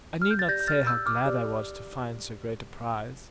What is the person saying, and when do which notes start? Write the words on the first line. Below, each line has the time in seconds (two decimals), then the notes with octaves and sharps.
I need not say how glad I was to find so great a prize.
0.22 F6
0.31 G6
0.39 A6
0.48 G4 D5 G6 A#6
0.61 G6
0.68 F6 A6
0.87 E6 G6
1.06 D6 F6
1.26 G4 D5